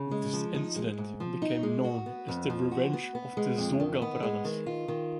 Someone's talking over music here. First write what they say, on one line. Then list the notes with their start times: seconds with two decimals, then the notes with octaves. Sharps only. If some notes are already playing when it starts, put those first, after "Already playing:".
This incident became known as the Revenge of the Soga Brothers.
Already playing: C#3
0.11 G#3
0.33 F3
0.54 D#4
0.76 G#3
0.98 G#2
1.20 F3
1.42 D#4
1.63 G#3
1.84 F#4
2.06 B3
2.28 F2
2.50 F3
2.71 F#4
2.93 B3
3.15 B3
3.37 G#3
3.58 F2
3.80 D#3
4.02 B3
4.23 G#3
4.45 D#3
4.66 F4
4.88 D#3